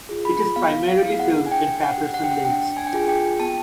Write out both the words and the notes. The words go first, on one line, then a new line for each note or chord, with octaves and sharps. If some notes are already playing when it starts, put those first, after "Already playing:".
It is primarily filmed in Patterson Lakes.
F4 G#4
B5
B3 F5
F5
E4 G#4
F#5
G#5
D4 G5
F#5
G4
F#5
G5
F#5
D4 G5
G#5
G5
F4 G#4 G#5
G5
B3 A5